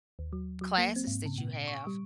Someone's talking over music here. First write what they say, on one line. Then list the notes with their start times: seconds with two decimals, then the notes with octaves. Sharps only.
classes that you have."
0.19 D#2
0.33 F#3
0.61 F#3
0.78 A#3
0.96 C4
1.07 G#2
1.26 C#3
1.38 A#2
1.53 D7
1.68 C#6
1.87 G3